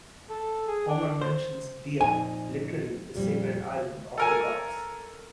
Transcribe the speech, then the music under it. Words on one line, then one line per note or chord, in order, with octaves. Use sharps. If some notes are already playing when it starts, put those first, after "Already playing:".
Homer mentions "Dia"; literally the sacred island "of the Goddess".
A4
G#4
D4
C5
F2 A#2 D#4 G#5
F2 A#2 G3
A4 A#4 G#5